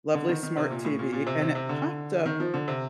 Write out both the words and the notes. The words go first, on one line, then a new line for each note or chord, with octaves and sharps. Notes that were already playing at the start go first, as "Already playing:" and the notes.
lovely smart TV and it popped up
D3
D#3
D#3
C3
A#2
A2
A#2
A#2
C3
C3
C3
D3
D#3
F3
D3
C3